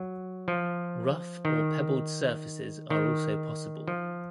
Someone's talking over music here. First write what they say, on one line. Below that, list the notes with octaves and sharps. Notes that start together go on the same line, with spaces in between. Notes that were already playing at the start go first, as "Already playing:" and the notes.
Rough or pebbled surfaces are also possible.
Already playing: F#3
F3
D#3
D#3
F3